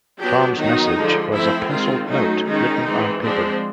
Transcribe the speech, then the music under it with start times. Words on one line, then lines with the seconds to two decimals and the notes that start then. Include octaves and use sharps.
Thom's message was a "penciled note" written on paper.
0.19 F#3 B3 D4 G4
0.57 D#3 F#3 B3 D#4
0.95 D3 F3 G#3
1.32 F3 A3 C4 E4
1.70 D#3 G#3 C4 F4
2.08 F#3 A3 C#4 D#4
2.46 D#3 G#3 C#4 D#4
2.84 E3 G#3 C4
3.21 F3 G#3 C4 D4